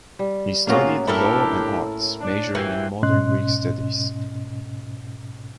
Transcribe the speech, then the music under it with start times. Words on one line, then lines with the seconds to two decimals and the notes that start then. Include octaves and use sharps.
He studied law and arts, majoring in Modern Greek studies.
0.19 G3
0.67 A2 A#3 C#4 F4 F#4 G#4 A#5
1.07 D4 E4 G4 A4 A#4
2.21 D4
2.55 E3 F#4 G4 A#4 C5 F5
3.03 G#2 B2 C#4 D#5 C6 F#6